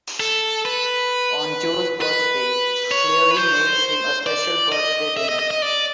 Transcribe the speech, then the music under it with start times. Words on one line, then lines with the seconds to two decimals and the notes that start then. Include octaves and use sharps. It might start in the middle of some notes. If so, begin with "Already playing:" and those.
On Joe's birthday, Claire makes him a special birthday dinner.
0.20 A4
0.65 B4
2.01 B4
2.91 C#5
3.31 B4
3.37 C5
4.26 D5
4.72 D#5
5.17 E5
5.29 D#5
5.39 D#5
5.51 D#5
5.62 D5